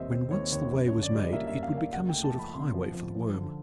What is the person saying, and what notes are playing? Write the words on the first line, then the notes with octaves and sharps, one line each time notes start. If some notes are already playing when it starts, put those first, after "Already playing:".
When once the way was made it would become a sort of highway for the Worm.
Already playing: D#2 G3 C4 C5 C#5 D#5 E5
C4 C5
D#2 C#5
D#2 C#5
F#2
C#5
D3
D5
G3 D#5
A#3 E5
E5
F#2
F5
A#3 F5
C#2 F#5
G5
A3
A5
F3
B5
C3 C6
F3
F3
F3
D3